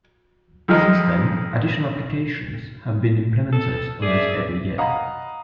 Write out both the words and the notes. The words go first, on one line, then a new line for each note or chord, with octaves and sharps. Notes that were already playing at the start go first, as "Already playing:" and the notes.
Since then, additional applications have been implemented almost every year.
F2 D#3 F3 G#3 D#4
A4
G#4 D5 E5
D#5 F5 F#5 A#5 B5 D#6